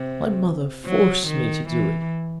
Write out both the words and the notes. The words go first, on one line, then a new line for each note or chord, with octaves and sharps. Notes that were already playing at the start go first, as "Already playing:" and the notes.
My mother forced me to do it.
Already playing: C3
F#3
D#3
E3